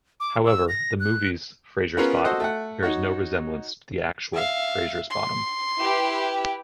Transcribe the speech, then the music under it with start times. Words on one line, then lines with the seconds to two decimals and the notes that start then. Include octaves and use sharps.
However, the movie's Fraziers Bottom bears no resemblance to the actual Fraziers Bottom.
0.20 D6
0.46 E6
0.68 A#6
1.00 F#6
1.97 B3 C#4 F4 G#4 A#4 B4
2.25 F#4 A4 C5 D#5 F#5
2.40 A3 F#5
2.83 D#4 F#4 C#5
4.34 E5 F5
5.10 C6
5.81 E4 G4 B4